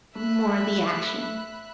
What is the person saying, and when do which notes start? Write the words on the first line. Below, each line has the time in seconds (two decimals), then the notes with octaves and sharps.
more of the action.
0.15 A3 E5 B5 F#6